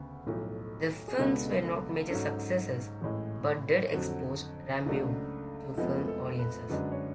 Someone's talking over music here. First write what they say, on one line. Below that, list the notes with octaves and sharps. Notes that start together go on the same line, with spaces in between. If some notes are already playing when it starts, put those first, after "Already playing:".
The films were not major successes but did expose Rambeau to film audiences.
Already playing: D2 C#3 B3
B1 A2 F3 A3
G#4
C#2 B2 G#3 B3 D4 A4
A4
G#2 F#3 C#4 A4
A1 A2 G#3
F2 D3 F#3 A4
C#2 C#3 F#3 A3 D4
F1 F2 F3 G#3 B3 A4
A4
B4
F#2 D3 G#3 D4 B4
C#5